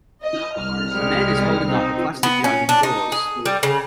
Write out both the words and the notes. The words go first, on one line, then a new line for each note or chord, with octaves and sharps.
A man is holding up a plastic jug indoors.
D#5
C2 F6
G3 G#3
C4 D#4
B3
C#4
D4
D#4
G#4
G3
C#3